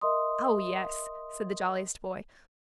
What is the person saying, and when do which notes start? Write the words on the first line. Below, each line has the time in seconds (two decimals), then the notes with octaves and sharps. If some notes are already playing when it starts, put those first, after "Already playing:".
"Oh, yes," said the jolliest boy.
0.01 A#4 D#5 E5 C6 D#6